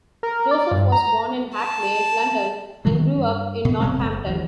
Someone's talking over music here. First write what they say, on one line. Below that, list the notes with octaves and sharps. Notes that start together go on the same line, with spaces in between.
Joseph was born in Hackney, London and grew up in Northampton.
A#4
D5
G2
A#5
A5
D#3 F#3 G#3
G2
B2
F1 B2 G#3 C4
F#1
D#2 F3